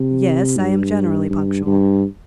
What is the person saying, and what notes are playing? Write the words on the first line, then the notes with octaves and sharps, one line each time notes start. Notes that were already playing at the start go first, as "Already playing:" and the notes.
"Yes, I am generally punctual."
Already playing: C3
G2
G2
G2